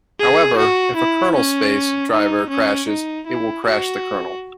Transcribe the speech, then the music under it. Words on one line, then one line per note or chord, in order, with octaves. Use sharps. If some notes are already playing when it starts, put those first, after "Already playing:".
However, if a kernel-space driver crashes it will crash the kernel.
G#4
F#4
E4
C#4
D#4
C#4
D#4
E4
F#4